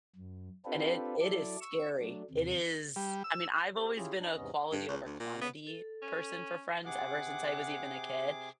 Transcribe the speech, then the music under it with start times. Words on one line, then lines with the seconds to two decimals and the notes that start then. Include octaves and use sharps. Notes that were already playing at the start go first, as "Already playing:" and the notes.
And it it is scary. It is I mean, I've always been a quality over quantity person for friends ever since I was even a kid,
0.16 F#2
0.65 C4 D4 F4 G4 A4 B4
1.21 F#3 E4 A4 D5
1.61 C#6 E6
1.98 F#3 A3 D4
2.31 D#2 C3
2.96 G3
3.24 E6
3.75 G4 C5
3.96 C#4 E4 F4 G4 G#4
4.19 D4 D#4
4.35 E2 G#2 C3 B3 C#4 D#5
4.72 G2
4.89 C#2
5.06 D2
5.20 A#2
5.41 B3
5.67 A4
6.02 C#4
6.86 C3 G#4 F#5 D6